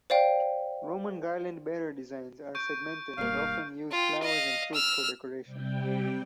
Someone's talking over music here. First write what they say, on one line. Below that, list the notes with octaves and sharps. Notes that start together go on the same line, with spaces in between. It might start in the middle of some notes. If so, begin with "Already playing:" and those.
Roman garland bearer designs are segmented and often use flowers and fruits for decoration.
C5 D5 F5 G5
C#6 G6 D7
E1 G2 A#3 F5
F4 G5
D#5 F5
E6 F6
C3 G3 G5